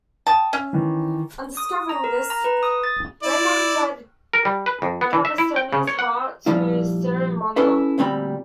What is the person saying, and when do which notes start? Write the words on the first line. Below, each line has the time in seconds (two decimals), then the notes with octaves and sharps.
On discovering this, Raimon fed Cabestany's heart to Seremonda.
0.27 G5 A5 D#6
0.53 C#4 E5
0.73 D#3 E3
1.57 D#6
1.89 A#5
2.04 A#4
2.30 A#5
2.44 B4
2.63 D#6
2.84 A6
3.23 E4 D5
4.34 A#4
4.45 G3
4.66 B4
4.82 F2
5.01 B3
5.13 E3
5.25 E5
5.38 E4
5.56 G5
5.73 C#3
5.88 C#5
5.99 F#5
6.46 A#2 F3 G3 E4
7.56 C#4 E4 A4 B4 E5
7.98 D2 A#2 G3 C4 A#5 B5